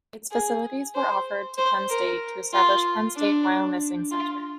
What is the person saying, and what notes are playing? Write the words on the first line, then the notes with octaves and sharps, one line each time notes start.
Its facilities were offered to Penn State to establish Penn State Wyomissing Center.
G#4
C5
C5
A#4
F4
D4
F4